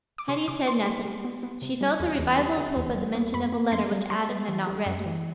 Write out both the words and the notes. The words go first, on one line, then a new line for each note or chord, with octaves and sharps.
Hetty said nothing; she felt a revival of hope at the mention of a letter which Adam had not read.
D6
C3 C6
C3 D6
B3 C6
G3 C6
G3
B3
B3
C3
G3
E2
E2
G3
D3
E2
G3
B3
F#2 B5
B3
F#2 C6
G3
G3 C6
B3
E3
G3
F#2
E3